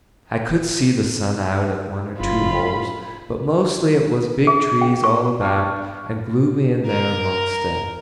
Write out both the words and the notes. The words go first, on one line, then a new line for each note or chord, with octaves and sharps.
I could see the sun out at one or two holes, but mostly it was big trees all about, and gloomy in there amongst them.
F#1 F4 B5
G#4
G5
C#6
D4 F5 C#6
A#4